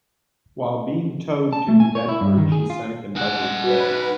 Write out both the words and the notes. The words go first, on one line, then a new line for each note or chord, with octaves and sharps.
While being towed to New Bedford, she sank in Buzzards Bay.
A5
A3
G#5
C#5
E4
G2
D#3
G#4
F4
G#3 D#4 F#5
F#4 B4